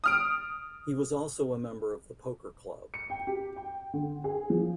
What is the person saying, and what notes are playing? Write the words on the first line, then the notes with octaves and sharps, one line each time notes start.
He was also a member of The Poker Club.
D#6 F6 D7
C#7
G5
G4
G5
D3
G#4
F3